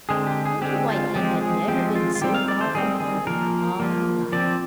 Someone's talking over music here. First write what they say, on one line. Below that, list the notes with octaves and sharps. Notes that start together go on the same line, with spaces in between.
The little white hen had never been so far from home in all her life.
D3 G#3 C4 G#4
G4
G#4
D3 G#3 C4 G4
F4
F3 G#3 C4 G4
G#4
F3 G#3 C4 G4
F4
F4
D#3 G3 C4 G4
F5
D5
C5
D#3 G3 C4 G#4
G#4
F3 A#3 A#4
F3 A#3
F3 C4 D5